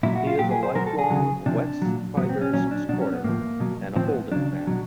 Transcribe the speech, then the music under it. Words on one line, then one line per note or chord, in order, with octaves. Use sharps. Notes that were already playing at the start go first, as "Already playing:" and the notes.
He is a lifelong Wests Tigers supporter and a Holden fan.
A#2 F#3 E4
F#4
F4
A#2 F#3 G4
G#4
C5
B2 F#3 A#4
A4
G#4
C#3 F#3
C3 F3 D4
A#2 F#3
A#2 F#3 B3
C4
C#4
A#2 F#3 C#4
D4
B2 F#3 D4
C#4
B3
A2 F3 A#3
B2 F#3
A2 F3 C4
B3
C#3 F#3 D4
B2 F#3